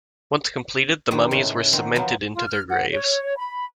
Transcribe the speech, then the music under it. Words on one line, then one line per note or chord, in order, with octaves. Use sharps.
Once completed the mummies were cemented into their graves.
G2 D#3 G4 B4 C5
A2 C#3 G#3 A3
D#3 G#3 C4 C5 F#5 A#5
F3 F#3 B3 A#4 C5 C6
F4
F6
F#5
C#5
B5